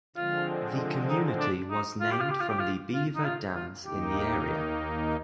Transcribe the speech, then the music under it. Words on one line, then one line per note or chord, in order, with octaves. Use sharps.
The community was named from the beaver dams in the area.
D3 F3 G#3 C4 F4
D#4
D4
D#4
F4
G4
F4
G4
F4
G4
F4
F4
D#4
F4
F4
D#2 D#3 A#3 D#4 G4